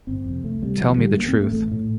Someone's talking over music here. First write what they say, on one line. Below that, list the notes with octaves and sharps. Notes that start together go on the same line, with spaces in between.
Tell me the truth.
G1 C4
F2 C3
C2 A3
C3 G3
D2 F3
F3
D3 G3
A1 A#3
C4
A2
A3
A1 A3
A2